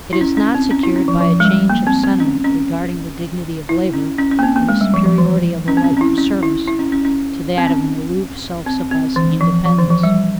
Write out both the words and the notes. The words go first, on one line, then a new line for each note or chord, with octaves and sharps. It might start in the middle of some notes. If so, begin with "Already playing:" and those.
It is not secured by a change of sentiment regarding the dignity of labor, and the superiority of a life of service to that of an aloof self-sufficing independence.
E4
C#4
C#4
C4
C#4
E4
C#4
F3
F3
G#3
G3
A#3
C4
C4
C#4
C#4
E4
C#4
C#4
C#4
A#3
C4
A#3
G#3
G3
F3
F3
E3
C#4
C4
C#4
C#4
E4
C#4
E4
E4
C#4
C#4
C#4
C4
C#4
C4
C4
E3
F3
F3
E3
F3
G3